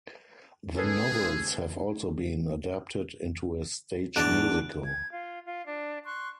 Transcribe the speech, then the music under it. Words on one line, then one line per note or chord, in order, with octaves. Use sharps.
The novels have also been adapted into a stage musical.
C#4 G#4 A4 B4
E2 D4 A5 F#6 D7
G#6
F4
F4
D4
C6 C#6 F#6